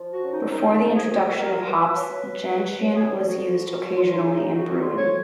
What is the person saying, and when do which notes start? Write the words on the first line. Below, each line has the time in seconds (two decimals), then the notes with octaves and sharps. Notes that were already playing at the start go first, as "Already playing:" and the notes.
Before the introduction of hops, gentian was used occasionally in brewing.
Already playing: F3
0.12 F#4
0.22 F#2
0.32 D#4
0.51 D#3 D#4
0.64 D#4
0.79 F2 D#4
0.94 G#4
1.08 A#2 F#4
1.37 A#2 A#4
1.51 A#4
1.66 F#3 B4
1.94 F#3
2.23 F#3
2.51 G#2
2.80 F#3 B4
2.94 G#4
3.09 F2 G#4
3.23 F#4
3.37 F3
3.66 A#2
3.95 F#3 F4
4.14 D#4
4.23 C#3
4.34 D#4
4.52 D#3 F#4
4.67 F#4
4.81 F2 F4
4.96 C#5